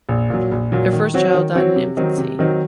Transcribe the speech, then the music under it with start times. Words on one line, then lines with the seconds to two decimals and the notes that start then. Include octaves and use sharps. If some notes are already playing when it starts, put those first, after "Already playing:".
Their first child died in infancy.
0.09 A#1
0.30 A#2 F#3
0.51 A#1
0.72 A#2 F#3
0.93 D#3
1.14 F#3 C4 F#4 C#5
1.34 D#3
1.55 F#3 C4 F#4 C#5
1.76 C3
1.97 D#3 F#3 C4 D#4
2.18 C3
2.39 D#3 F#3 C4 D#4